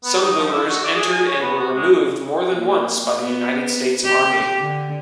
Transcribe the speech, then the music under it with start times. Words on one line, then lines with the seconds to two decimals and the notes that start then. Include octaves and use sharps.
Some Boomers entered and were removed more than once by the United States Army.
0.04 B3
0.22 D#4
0.37 F3
0.50 E4
0.69 F#4
0.84 D5
0.96 G#4
1.09 G#5
1.27 C#5
1.41 B3
1.59 F#4
1.75 G#3
2.56 A#3
3.21 B3
4.05 G4
4.61 D3